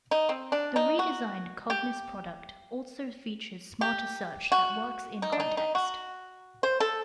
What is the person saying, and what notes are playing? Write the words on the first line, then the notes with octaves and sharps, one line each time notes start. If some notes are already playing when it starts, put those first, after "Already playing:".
The redesigned Cognos product also features smarter search that works in-context.
D#4
C4
D4
D#4
F#4
G4
G4
F#4
D#4
D4
D#4
D#4
F#4
C5
A4